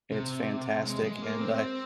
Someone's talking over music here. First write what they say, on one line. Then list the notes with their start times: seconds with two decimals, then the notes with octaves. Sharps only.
it's fantastic, and I
0.12 C3
0.85 G#3
1.04 G#3
1.22 A#3
1.41 C4